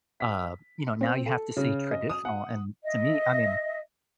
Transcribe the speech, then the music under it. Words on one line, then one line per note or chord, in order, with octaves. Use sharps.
uh, you know, now you have to say "traditional." And to me I mean,
B6
C4
A4
C#3
D#5
D#6
F#5
D#5 E5